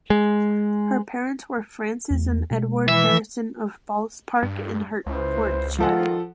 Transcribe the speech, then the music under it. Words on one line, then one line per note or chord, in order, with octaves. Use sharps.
Her parents were Frances and Edward Harrison of Balls Park in Hertfordshire.
G#3
E2 A3
B2 G#3
E3 E5
G2
C#2 E4 B4 C5
D#3 F3 G#3 F4 A4 F#5